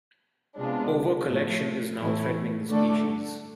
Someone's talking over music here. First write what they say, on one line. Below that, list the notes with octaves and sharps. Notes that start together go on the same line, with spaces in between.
Over-collection is now threatening the species.
C3 G#3 B3 D4 F4
A2 F3 A3
A2 E3 A3 E4
D3 A3 D4 A4 D5